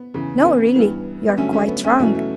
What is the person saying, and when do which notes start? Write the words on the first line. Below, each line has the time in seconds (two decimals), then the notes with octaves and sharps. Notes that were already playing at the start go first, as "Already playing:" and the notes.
'No; really you are quite wrong.
Already playing: B3
0.14 E2 C#3 E3
0.41 C#4
0.45 B3
0.75 G2 E3 B3
1.28 B3
1.37 G2 D3 F#3 A3 C#4
1.53 A3 C#4
1.68 B3
1.84 A3 C#4
1.99 E2 B2 F#3 A3 C#4
2.15 A3